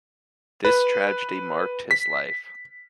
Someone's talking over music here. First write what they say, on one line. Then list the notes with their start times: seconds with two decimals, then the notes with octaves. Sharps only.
This tragedy marked his life.
0.65 B4
1.91 B6